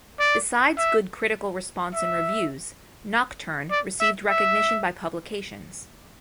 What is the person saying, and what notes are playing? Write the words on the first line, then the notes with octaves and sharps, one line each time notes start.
Besides good critical response in reviews, "Nocturne" received recognition by publications.
D5
E5
E5
D5
E5
E5